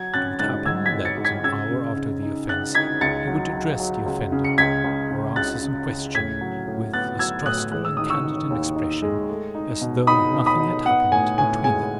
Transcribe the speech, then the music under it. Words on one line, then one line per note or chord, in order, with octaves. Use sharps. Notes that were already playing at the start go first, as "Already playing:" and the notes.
It would happen that an hour after the offense he would address the offender or answer some question with as trustful and candid an expression as though nothing had happened between them.
Already playing: F#3 G#6
C#4 F#6 A6
G#2 F#6 A6
G#2 E6 G#6
G#6 B6
G#2
A6 C#7
G#2
G#6 B6
C#3 E6 G#6
C#3
C#3
D#4
C#3 F#6 A6
D#4 G#6 B6
C#2 A6 C#7
F#3
F#3
F#3
C#2
C#3
C#7
C#2 G#6 B6
C#2
C#3
C#2 F#6 A6
C#3
C#3
A2 G#6 B6
F#3
A2
B3 F#6 A6
F#3 E6 G#6
A2 D#6 F#6
G#3 F#6
E6
D#3 D#6
C#6 E6
D#3
D#2
D#4
G#3
A3
D#4
B2
D#4 B5 D#6
B2
B5 D#6
D#4
B3 F#5
A2 G#5
A2 G#5
G#3 G#5